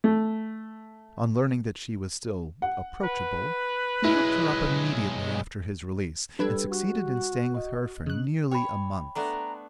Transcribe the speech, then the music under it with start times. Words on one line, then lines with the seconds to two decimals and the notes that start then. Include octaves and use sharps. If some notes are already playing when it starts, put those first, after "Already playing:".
On learning that she was still approachable, he looked her up immediately after his release, and succeeded in staying with her for nearly a month.
0.04 A3
2.62 F#5
3.03 B4
4.04 B1 G#3 E4
6.39 G3 D4 A4 B4 G#6
6.69 F#4
7.54 D#5
8.06 C#3 F#6
8.51 C#5 G5 B5
9.15 A3 B3 D4 A#5